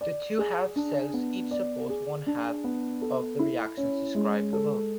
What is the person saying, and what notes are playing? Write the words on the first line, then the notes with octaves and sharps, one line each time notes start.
The two half cells each support one half of the reactions described above.
D5
G#4
D4
B3
D5
G#4
D4
B3
A4
E4
C#4
G#3
A4